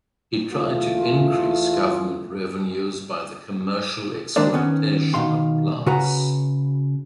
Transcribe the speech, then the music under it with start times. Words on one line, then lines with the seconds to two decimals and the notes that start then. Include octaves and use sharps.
He tried to increase government revenues by the commercial exploitation of plants.
0.53 E2 A3 F4
4.36 D#3 G#3 D4 A#4 C5 D5
4.53 D#3 B3 C#4
5.14 B2 D#3 F5 C6
5.86 C#3 F#4 B4 A#5